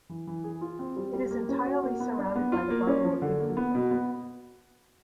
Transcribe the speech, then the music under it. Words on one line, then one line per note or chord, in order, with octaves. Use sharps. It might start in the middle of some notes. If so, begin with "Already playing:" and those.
It is entirely surrounded by the borough of Big Beaver.
E3
E3
G#4
F4
C4
G3
G3
A#3
C#4
F#4
A#3
B3
D4
B3
F4
A#3
C#4
F3
D3
A#3
B3
B2
B3